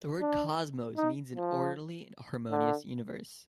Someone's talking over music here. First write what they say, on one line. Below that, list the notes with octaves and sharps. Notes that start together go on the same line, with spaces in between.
The word "cosmos" means an orderly and harmonious universe.
D4
D#4
F3
D3